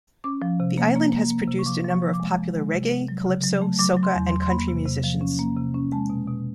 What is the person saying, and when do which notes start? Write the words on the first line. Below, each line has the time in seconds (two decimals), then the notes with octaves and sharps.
The island has produced a number of popular reggae, calypso, soca and country musicians.
0.24 C#4 D6
0.42 F3
0.60 C3
0.78 A#3
0.95 A#3
1.13 A#3
1.30 A#3
1.48 C3
1.59 C#6
1.66 F3 D6
1.84 F3
1.90 C#6
2.02 F3
2.14 D6
2.20 G#3
2.37 F3
2.55 G#3
2.73 C3
2.91 C3
3.08 F#3
3.26 C#3
3.44 F#3
3.62 A3
3.79 F#3 D6
3.97 F#3
4.03 C6
4.15 E2
4.27 C6
4.32 E2
4.42 C6
4.50 A#3 B5
4.68 C3
4.86 C3
5.04 F3
5.21 C#4
5.39 A#3
5.57 C3
5.74 C#4
5.92 G#3 A5
6.10 B2
6.27 B2